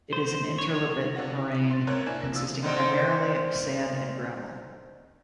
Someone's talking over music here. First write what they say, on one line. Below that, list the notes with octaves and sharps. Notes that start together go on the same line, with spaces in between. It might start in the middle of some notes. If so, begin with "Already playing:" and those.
It is an interlobate moraine, consisting primarily of sand and gravel.
C5
C#5
C3 D4 F4 F#5 A#6
E4
C6 A6
C#2 C4 A#4 C#5 F#6
A#3 D4 E4 G#5 F#6 E7
F3 D4 F4 E6
D3 D#3 C4